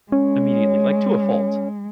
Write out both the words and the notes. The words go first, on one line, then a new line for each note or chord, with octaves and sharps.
immediately- like, to a fault,
G#3 C#4